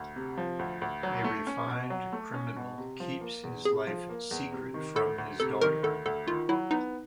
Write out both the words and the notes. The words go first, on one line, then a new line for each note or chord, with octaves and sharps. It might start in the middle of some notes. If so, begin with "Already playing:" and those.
A refined criminal keeps his life secret from his daughter.
Already playing: D2
C3
F3
D2
D2
F#3
A3
C#4
B2
F#3
A3
C#4
B2
C3
F3
A#3
E2
C3 G#4
F3
A#3
E2
C3
D#3
D2 A4
D2
C3 A4
D#3 A#4
D2 A4
D2 A4
D#3 F4
F#3 E4
B3 D#4